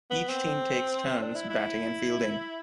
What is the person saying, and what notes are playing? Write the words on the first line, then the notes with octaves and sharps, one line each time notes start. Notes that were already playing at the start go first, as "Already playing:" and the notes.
Each team takes turns batting and fielding.
B3
C4
C4
D4
E4
E4